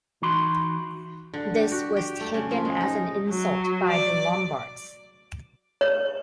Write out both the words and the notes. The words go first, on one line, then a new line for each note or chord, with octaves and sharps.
This was taken as an insult by the Lombards.
E3 D#4 F#4 B5 C6
D3
G4
F#4
G4
A3
C#3
F3
G#3
D#4
F#3
D5
C#5